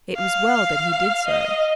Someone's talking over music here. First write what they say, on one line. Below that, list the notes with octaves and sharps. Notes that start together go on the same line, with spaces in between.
It was well that he did so.
F5
D#5